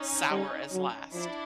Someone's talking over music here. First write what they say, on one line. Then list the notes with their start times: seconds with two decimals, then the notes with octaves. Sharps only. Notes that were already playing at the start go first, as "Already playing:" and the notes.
sour as last?
Already playing: C#4 D#4
0.30 G3
0.73 F#3
1.13 F3 D4 E4